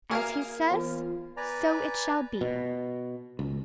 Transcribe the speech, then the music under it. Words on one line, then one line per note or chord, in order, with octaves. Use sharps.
As he says, so it shall be.
A#3 F#4 G#4 A#4 B4 E5 F5
E3 B3 F4 D5
B4 D5 G#5 A#5
B2
C#2